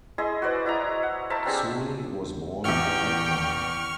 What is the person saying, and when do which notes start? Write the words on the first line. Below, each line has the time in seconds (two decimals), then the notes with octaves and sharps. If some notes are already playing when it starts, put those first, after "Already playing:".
Tsui was born in Hong Kong.
0.18 E4 G#4 D#5 C6
0.42 F#4 B4 C5 D5
0.66 E4 D#5 A#5
1.03 F#5
1.30 A#4 C5 E5 A5
1.46 C4 D4 G4 G#4
2.64 A1 E2 G5 C#6 F6